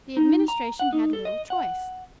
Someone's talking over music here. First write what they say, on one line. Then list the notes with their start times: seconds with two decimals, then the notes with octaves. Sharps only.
The Administration had little choice.
0.17 D#4
0.48 A#5
0.79 F#5
0.93 D#4
1.13 A4
1.25 D#5
1.50 F#5